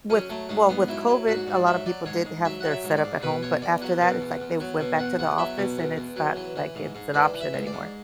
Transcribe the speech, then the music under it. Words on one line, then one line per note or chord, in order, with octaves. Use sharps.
with well, with COVID, a lot of people did have their setup at home, but after that, it's, like, they went back to the office and it's not, like, it's an option anymore.
F#3 C#4
F#3 A3
G#2 A3
G#2 B3
F#3 E4
F#3
G#2 F#4
G#2
D5
F#3 E5
F#3 D5
G#2 C#5
G#2
F#3 E5
F#3 F#5
E5
G#2
D5
G#2
B2 B4
E2 C#5
E2 D5
F#3 F#5
B2
E2
E2
F#3
B2
E2 F#5
E2 F#5
F#3 E5
B2
E2
E2
F#3
E3
E3
G#2
G#2
E3 D5
E3
E5
G#2
D5
G#2